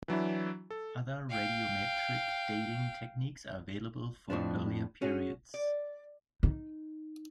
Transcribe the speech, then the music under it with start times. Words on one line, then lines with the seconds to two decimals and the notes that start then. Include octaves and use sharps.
Other radiometric dating techniques are available for earlier periods.
0.08 E3 F#3 D4 E4
0.70 A4
1.30 F5 G5
4.30 F2 A2 F3 D4
5.02 C#4 F#4 G#4
5.54 D5
6.43 D#4